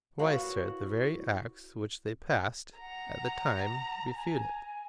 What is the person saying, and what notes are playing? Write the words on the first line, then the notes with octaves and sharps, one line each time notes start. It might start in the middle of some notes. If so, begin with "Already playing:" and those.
Why, sir, the very acts which they passed at the time refute it.
E4 F#4 A#4 B4 C#5 F5
F#5 A#5
G#5